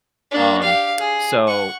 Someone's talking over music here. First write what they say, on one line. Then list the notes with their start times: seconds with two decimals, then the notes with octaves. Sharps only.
Um, so
0.31 A#3 D4
0.62 G4 F5
0.98 G#4
1.47 F#5 C#6